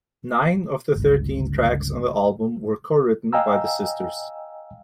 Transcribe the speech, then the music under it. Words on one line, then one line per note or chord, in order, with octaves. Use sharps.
Nine of the thirteen tracks on the album were co-written by the sisters.
G1 C#2
D#5 F5 G5 G#5 A#5 E6